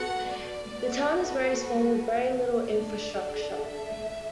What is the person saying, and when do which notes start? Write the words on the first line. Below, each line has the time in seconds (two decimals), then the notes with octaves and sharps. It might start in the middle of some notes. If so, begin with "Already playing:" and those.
The town is very small with very little infrastructure.
Already playing: B3 F#4 A4 F#5
0.30 D5
0.79 B3 F#4 A4
1.26 B4
2.69 D4 A4 D5
3.63 E5